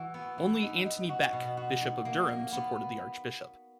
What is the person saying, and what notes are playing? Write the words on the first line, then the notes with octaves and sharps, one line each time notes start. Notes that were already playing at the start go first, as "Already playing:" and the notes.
Only Antony Bek, Bishop of Durham supported the archbishop.
Already playing: E3 F#4
B3
E3
D#4
D#4
F#4
B2
F#4
D#4
A#3
A#3
B3